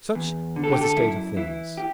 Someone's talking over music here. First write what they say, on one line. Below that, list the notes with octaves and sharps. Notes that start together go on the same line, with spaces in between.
Such was the state of things.
E2
D3
A4
G4
A4
F#2 E4
E3 E4
G4